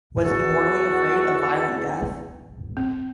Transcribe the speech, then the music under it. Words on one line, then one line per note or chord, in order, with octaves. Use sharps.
Was he mortally afraid of violent death?
E2 F#4 A4
C4